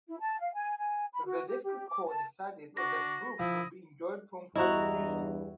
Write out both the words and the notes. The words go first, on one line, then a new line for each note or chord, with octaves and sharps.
The district court decided that Brooke would be enjoined from prosecution.
E4
A5
F5
G#5
G#5
B5
F#4
G4
G4
D6
A5
D4 F#4 A#6
F3 E4 D#6
E2 G2 E4 F#4 D#5 A#5